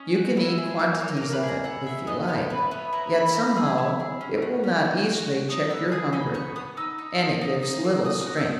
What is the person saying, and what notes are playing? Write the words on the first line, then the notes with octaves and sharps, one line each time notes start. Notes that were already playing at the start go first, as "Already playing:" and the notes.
You can eat quantities of it, if you like, yet somehow it will not easily check your hunger, and it gives little strength.
Already playing: C#4 D#5
F#4
E4
G#4
A#3
A#3 C#5
A#4
A#3
B4
G#4
A#5
E4 F#5
G#4 E5
B3 D#5
B3 C#5
E4 B4
B3 C#5
E4 A#5
E4 B5
C#4 A#5
G#4 E6
E4
G#4
C#4
F#4
C#4
F#4
F#4
F#4
D#4 D#6
B3 E6
G#4 D#6
D#4 B5
B3 C#6
B3 D#6
D#4 E6
D#4
D#4
D#4
D#4
A#3
F#4 D#6
D#6
F#4
E6